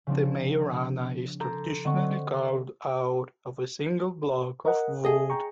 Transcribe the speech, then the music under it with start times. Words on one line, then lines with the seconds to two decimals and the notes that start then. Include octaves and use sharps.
The mejorana is traditionally carved out of a single block of wood.
0.07 C#3 F3 C4 D4
1.40 A4 A#5 C6 D6 G6 G#6
1.85 D3 C4 D5 D#5 F#5 C#6
4.65 A#4 D#5 F#5
5.05 G#4 A4 D#5
5.30 G5 A#5 C#6